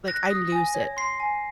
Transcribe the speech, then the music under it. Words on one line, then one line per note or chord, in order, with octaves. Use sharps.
Like, I lose it.
F#6 A#6
D#6
G#5
C#5
C6 C7
G#5